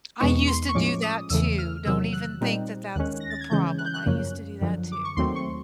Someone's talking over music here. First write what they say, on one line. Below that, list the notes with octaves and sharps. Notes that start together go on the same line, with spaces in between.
I used to do that too! Don't even think that that's the problem. I used to do that too.
E2 B2 G#3 B3 D#4 C#6
C6
C#6
A2 F3 G#3 C#4 D6
D#6
E2 C#3 E3 A3 E6
F6
E2 C3 D#3 F#3 E6
F#6
A#2 G3 C4 D#4
D#2 D#3 G#3 C#4 F#6
A#6
A6
G#6
C#3 E3 G#3 C#4 G6
F#6
G6
F#6
F#2 C#3 F3 A#3 C#4
F#2 D3 F3
D6
C#6
D#2 D#3 F#3 A3 C4 C6
C#6